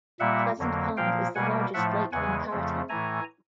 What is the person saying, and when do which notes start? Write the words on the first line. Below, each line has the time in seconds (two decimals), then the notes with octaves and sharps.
Pleasant Pond is the largest lake in Caratunk.
0.20 A#2 G3 A#3 E5 F#5
0.58 F2 D3 F#3 A#3
0.97 A#2 F3 A#3 F5 G5
1.35 B2 G3 A#3 F#5 G#5
1.74 A2 F3 A3 E5 F#5
2.12 E2 C#3 E3 G#3 F#5 G#5
2.51 F2 C#3 F3 A3
2.89 A2 E3 A3 G#5 A#5